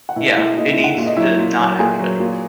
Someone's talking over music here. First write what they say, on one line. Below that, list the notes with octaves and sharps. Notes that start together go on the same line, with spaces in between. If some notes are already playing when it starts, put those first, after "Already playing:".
yeah, it needs to not happen.
F#5
B2 E4 E5
G#3 E4 E5
A#2 D#4 D#5
E4 E5
G#3
F#5
A#2 E5
D#5
F#3 E4 E5
A#2
F#3
A#2 G#4
F#3
A#2